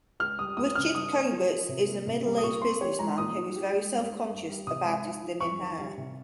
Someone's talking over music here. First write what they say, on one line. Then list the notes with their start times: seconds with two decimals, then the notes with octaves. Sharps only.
Richard Coberts is a middle-aged businessman who is very self-conscious about his thinning hair.
0.20 C#2 F6
0.39 G3 D#6
0.57 C#2 D#6
0.76 C#3 F6
0.94 G2 D#6
1.12 A#3
1.32 F4
1.50 F3
1.69 C3
1.88 A#3
2.07 C3
2.25 G3
2.38 D#6
2.43 A#2 C#6
2.62 C4 C6
2.81 G4 C#5
2.99 G#3 A#5
3.18 A#2 D#6
3.36 D#4
3.56 G4
3.73 G#3
3.92 G2
4.11 A#3
4.29 G2
4.48 G3
4.67 C3 D#6
4.85 G#3
5.04 D#4
5.22 F3
5.41 F2 C#6
5.60 D#3
5.78 G3
5.98 C3